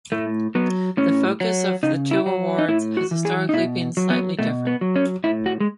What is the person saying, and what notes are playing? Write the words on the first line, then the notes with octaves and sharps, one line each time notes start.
The focus of the two awards has historically been slightly different.
A2 A3
F#3 B3
A2 C#4
F#3
C#3 D#4
E4
F#3
D#4
A2 E4
F#4
E3
G#4
D#4
B2 E4
F#3
B3
B2 A3
B3
F#3
C#4
A2 E4
F#4
G#3